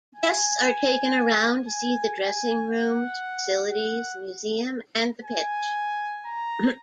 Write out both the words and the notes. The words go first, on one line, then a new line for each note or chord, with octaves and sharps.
Guests are taken around to see the dressing rooms, facilities, museum and the pitch.
G#5
G#5
G#5
F#5
F#5
G#5
A#5